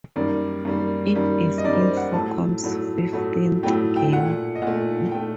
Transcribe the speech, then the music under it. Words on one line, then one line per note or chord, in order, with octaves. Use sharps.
It is Infocom's fifteenth game.
F#2 D#3 G3 A#3 D5
F#2 D#3 G3 A#3
F#2 D#3 G3 A#3
D#5
F#2 D#3 G3 A#3 D5
C5
F#5
A2 F#3 A3 A5
A2 F#3 A3
A2 F#3 A3
A2 F#3 A3 G5
G5
A#2 A3 F#5
D#5
A#2 A3 F#5
A#2 A3 G5